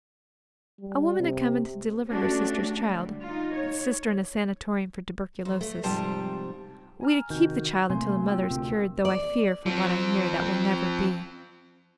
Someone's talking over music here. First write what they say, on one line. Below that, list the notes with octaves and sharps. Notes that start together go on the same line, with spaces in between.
A woman had come to deliver her sister's child--sister in a sanatorium for tuberculosis; we to keep the child until the mother is cured, though I fear, from what I hear, that will never be.
G3
C3
A3 C#4 D4 F#4 G4
D3 G3
D#4 F4
C#5
F2
A3
G#2 C3 F3 G3 A5
G#5 A#5 F6
C3 D#3 F#4 G6
C3 A3 A#3 G#5 C6
F4 G5 E6
D2 C3 A#4
D5
F3 C4